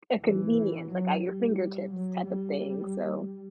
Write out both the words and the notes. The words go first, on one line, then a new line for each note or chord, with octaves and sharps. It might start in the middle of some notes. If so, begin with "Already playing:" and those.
a convenience, like, at your fingertips type of thing, so
E3
F#3
G3
F#3
G3